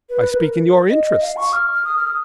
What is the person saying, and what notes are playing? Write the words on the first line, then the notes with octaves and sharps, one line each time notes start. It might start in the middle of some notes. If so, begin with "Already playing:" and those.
I speak in your interests.
B4
B4
A#4
D#5
D#5
F5
C#6
F6
F6
D#6
F6
D#6